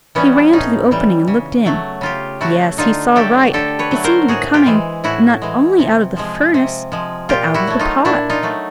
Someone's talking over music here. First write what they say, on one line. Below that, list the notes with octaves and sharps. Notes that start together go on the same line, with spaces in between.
He ran to the opening, and looked in: yes, he saw right; it seemed to be coming, not only out of the furnace, but out of the pot.
E3 G3 B3 C#4
A2 C#4 D#4
E3 G3
C#3
F#3 A3
C#3 F4 G4
F#3 A3 E4 F#4
D3 D#4 F4
F#3 A3 G4 A4
D3 G4 A4
B4 C#5
F#3 A3
A#4 C5
A2 F#4 G#4
F4 G4
E3 G#3
A2 E4 F#4
E3 G#3
C3
F3 G#3
C3
F3 G#3
A#2 F4 G4
E4 F#4
F#3 A3
D#4 F4
A#2 D4 E4
D#4 F4
F#3 A3